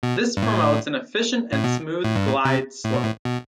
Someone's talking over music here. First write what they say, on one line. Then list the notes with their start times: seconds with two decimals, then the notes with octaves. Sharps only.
This promotes an efficient and smooth glide slope.
0.03 B2
0.37 G2
0.43 A2
1.52 A2
1.64 B2
2.04 A2
2.16 G2
2.27 A2
2.45 C3
2.84 A2
2.94 B2
3.04 A2
3.25 B2